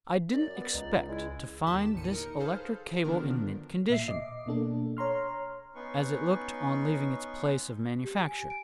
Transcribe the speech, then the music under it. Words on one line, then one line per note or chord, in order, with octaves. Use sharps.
I didn't expect to find this electric cable in mint condition, as it looked on leaving its place of manufacture.
F#2 D5
B3
C#2 D#4
G#3 E4
D#2 D#3 G4 A5 B6 E7
G1 D#2 A2 D3 C#7 D#7
D#4 A#4 C#7
G#4 A4 B4 C5 F5
D3 D#3 F3 B3 D4 A#4
A#2 E5 C7
D#5 D6
B2 A#3 D4 A4
C#5 A#5 C6 F6
B3 C#4 D#4 B4 C6 C#6
G4
G#5
D7